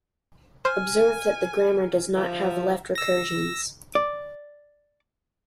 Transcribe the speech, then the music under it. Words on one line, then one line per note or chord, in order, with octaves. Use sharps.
Observe that the grammar does not have left recursions.
C5 G#5 F6
F3 E5
E6 A#6
D5